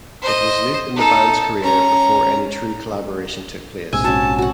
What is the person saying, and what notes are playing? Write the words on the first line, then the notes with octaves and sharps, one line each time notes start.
It was late in the band's career before any true collaboration took place.
C5 D#5
D#4 A4
C#4 A#5
A#1 G#2 C3 G#5 E6
C#4 F#4 A5
F#4 F#5